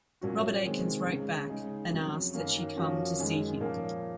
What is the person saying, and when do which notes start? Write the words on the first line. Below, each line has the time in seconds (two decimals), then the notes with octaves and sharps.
Robert Atkins wrote back and asked that she come to see him.
0.21 A#2 F#3 C#4 F#4
0.64 C3 D#3 G#3 C4
1.06 C#2 C#3 G#3
1.49 C#3 G#3 D#4
1.91 F2 C#3 F#3
2.34 F#2 D#3 A#3 C#4
2.76 F#2 F3 A#3 C#4 F#4
3.18 F#2 D#3 G#3
3.60 A#2 F3 A#3 C#4